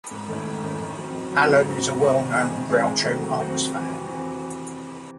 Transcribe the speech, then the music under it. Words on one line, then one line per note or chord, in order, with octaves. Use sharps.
Allen is a well-known Groucho Marx fan.
G#2
D#3 A3 C#4 E4
G#2
D#3 A3 C#4 E4
D#3
F#3 C4
D#3
F#3 C4
G#2
F#3 C4 F#4
G#2
F#3 C4 F#4
D#3
G#3 C4 E4 G#4
D#3
G#3 C4 E4 G#4
D#3
F#3 A3 C4 F#4
D#3
F#3 A3 C4 F#4
C3
E3 C4 F#4
C3
E3 C4 F#4